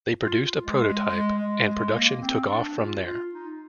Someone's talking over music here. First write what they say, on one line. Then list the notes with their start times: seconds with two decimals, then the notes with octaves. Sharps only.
They produced a prototype and production took off from there.
0.23 F4
0.65 G#3
0.86 G#3
1.07 G#3
1.36 G#3
1.64 G#3
1.92 A#3
2.21 C4
2.49 D4
2.77 F4
3.06 F4
3.34 D#4